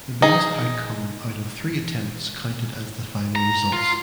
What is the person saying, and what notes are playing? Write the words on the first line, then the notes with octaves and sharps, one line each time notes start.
The best outcome out of three attempts counted as the final results.
D#4 G#4
A#5
F4